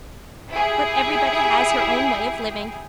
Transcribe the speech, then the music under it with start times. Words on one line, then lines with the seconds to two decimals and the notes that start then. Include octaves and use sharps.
But everybody has her own way of living . . .
0.50 E4 G4 G#4